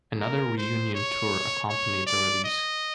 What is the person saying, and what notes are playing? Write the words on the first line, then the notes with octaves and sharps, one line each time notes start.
Another reunion tour accompanied the release.
A#4
C5
C#5
C#5
D5
D#5